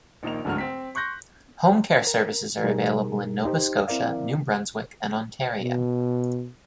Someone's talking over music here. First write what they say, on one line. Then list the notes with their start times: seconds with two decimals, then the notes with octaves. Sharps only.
Home care services are available in Nova Scotia, New Brunswick, and Ontario.
0.23 A#1 D#3 A#3 F7
0.45 D1 G#2 D3 F#3 A3 F6
0.58 C4 B6
0.95 C6 C#6 F#6 G6 A#6
2.07 A#4
2.64 B2 G3 D#4 G#4 A#4
3.45 D#4 G4 C5
3.88 C4 E4 A#4 D5 F5
5.62 B2